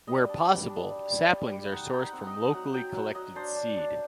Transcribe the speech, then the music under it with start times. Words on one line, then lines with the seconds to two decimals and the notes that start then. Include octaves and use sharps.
Where possible, saplings are sourced from locally collected seed.
0.07 G3 D#5
0.29 D4
0.49 G3
0.69 D4
0.90 G3
1.10 G3
1.31 G3
1.51 G3
1.72 D#4 F#5
1.93 D#4 G5
2.00 F#5
2.13 C4
2.27 D#5
2.33 D#4
2.53 F#3 F#5
2.74 F#3 G5
2.94 F#3 F#5
3.15 F#3 D#5
3.35 D4 C5
3.55 D4
3.76 D4